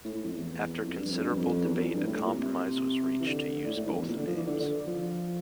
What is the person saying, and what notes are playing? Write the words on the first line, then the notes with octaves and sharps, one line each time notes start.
After considerable debate a compromise was reached to use both names.
A2
A2
F2
E2
F2
G2
F2
G2
F2
E2
E2
F2
G2
A2
A2
A#2
C3
E3
D3
A2
A2
G2
F2
E2
A#2
D3
F3
E3
D3
D3
F3